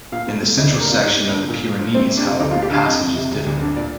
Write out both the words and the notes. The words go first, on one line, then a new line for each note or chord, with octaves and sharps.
In the central section of the Pyrenees, however, passage is difficult.
A#2 F5
A3
A3
D2 D#5
D5
A#3
A#4
C3 F4
G2 D#4
A#3
D3
A#2
A#2
F3
C2 C4
C2
D4
C3
D2 D#4
F4
A3
G4
D3 F5
F2 D#5
F2
C3
D2
D2
D3
A#2 D5